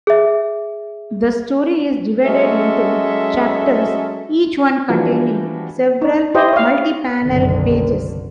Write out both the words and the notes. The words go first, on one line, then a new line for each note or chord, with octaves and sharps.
The story is divided into chapters, each one containing several multipanel pages.
G#4 E5
F#3 G#3 C#4 A4 D#5 E5
E3 F3 G3 D4 F#4
D#4
E4 G4 C5 D#5
C#5 F5
F#1 B1 D3 D#3